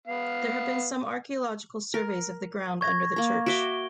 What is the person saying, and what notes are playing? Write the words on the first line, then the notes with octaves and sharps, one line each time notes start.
There have been some archaeological surveys of the ground under the church.
B3 F5
A#4
C#6 G#6 A#6
A#3 A#5
F#4 E5 D6 D7 G7